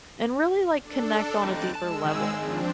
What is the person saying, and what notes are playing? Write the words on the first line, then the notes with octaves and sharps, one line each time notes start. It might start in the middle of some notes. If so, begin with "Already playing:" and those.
and really, like, connect on a deeper level.
D4 A4
F2 D#4 G4 F#6 A6 D7
G#3 A5 E6
D#3 G#4
F3 C4 D4